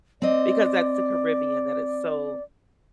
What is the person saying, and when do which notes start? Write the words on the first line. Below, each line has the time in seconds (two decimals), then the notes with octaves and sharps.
because that's the Caribbean, that it's so,
0.22 C4 D5 D#5